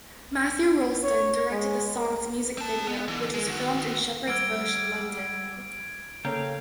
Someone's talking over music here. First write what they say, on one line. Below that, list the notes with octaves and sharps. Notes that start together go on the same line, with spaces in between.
Matthew Rolston directed the song's music video, which was filmed in Shepherd's Bush, London.
C#5
G#3
A#4
C4 A5
B3
D3 E3
G#3
D#3 F#4
G3 F#5 E6 F6 G#6 D7
C#3 A#3 A4 C#5 F5 G5 A#5